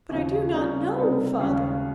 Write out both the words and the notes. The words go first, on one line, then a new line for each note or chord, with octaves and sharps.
"But I do not know, Father!"
D#2 C#3 F3
C#3 G3 A#3 C#4 F4
C3 G3 C4 D#4
D#2 C#3 G#3 C#4 F4